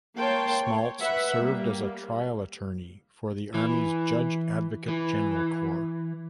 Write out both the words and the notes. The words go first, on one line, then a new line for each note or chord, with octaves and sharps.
Smaltz served as a trial attorney for the Army's Judge Advocate General Corps.
A#3 C#5 G5 A5 C6
C#5
B4 E5 F#5
G3 A#3
E3
E3